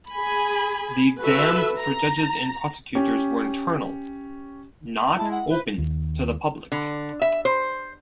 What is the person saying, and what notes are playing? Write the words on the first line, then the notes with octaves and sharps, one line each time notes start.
The exams for judges and prosecutors were internal, not open to the public.
G#4 G#5 B5
F#4 A4 B4 E5
A#5
C#4 G4
G#3 E4 A5
F#5
B4 C5
D#2
D3
E5
C5